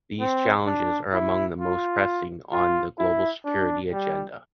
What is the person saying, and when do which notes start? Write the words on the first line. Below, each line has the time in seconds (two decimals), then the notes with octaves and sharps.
These challenges are among the most pressing on the global security agenda.
0.20 C4
0.66 D4
1.13 E4
1.60 F4
2.52 F4
2.99 E4
3.45 D4
3.92 G3